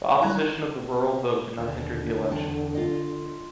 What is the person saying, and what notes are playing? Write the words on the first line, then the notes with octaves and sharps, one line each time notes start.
The opposition of the rural vote did not hinder the election.
G3 E4 A#5 F#6 G#6
D#2 D3
E2 G5 A5
F4 D#5